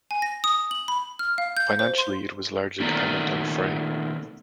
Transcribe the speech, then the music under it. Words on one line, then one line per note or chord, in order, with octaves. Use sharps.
Financially, it was largely dependent on Frey.
G#5
A#6
D#6
F#7
B5
F6
F5
G6
C5
C6
A#2 D#3 A3 B3 D5 A#5